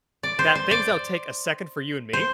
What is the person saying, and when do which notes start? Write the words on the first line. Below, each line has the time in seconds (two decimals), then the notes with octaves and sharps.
that things that'll take a second for you and me,
0.23 D5
0.39 C5
0.55 C5
0.71 D5
2.13 C5